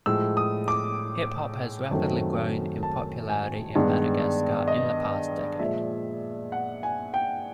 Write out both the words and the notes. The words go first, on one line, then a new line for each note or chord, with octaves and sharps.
Hip hop has rapidly grown in popularity in Madagascar in the past decade.
A2 F3 G#3 E6
D#6
D6
F#2 D#3 F#3 A3 C4
A5
G#5
G2 D#3 G#3 B3
D#5
A#2 F3 G#3 E5
F#5
G#5
G5